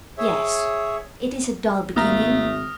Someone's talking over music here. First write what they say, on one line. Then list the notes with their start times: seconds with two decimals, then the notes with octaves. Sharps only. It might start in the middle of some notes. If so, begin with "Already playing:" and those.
'Yes, it is a dull beginning.
0.18 G#4 C#5 E5
1.96 G#1 A3 A#3 D#6 F6 A#6